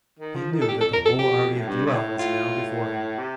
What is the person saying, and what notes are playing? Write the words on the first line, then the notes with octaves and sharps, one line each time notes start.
He knew that the whole army of Buell was now before him.
D#3
F3
D#3
A4
F2 G4
A4
A#4
A4
G4
A2
G2
G2
A2
A2 F4
C3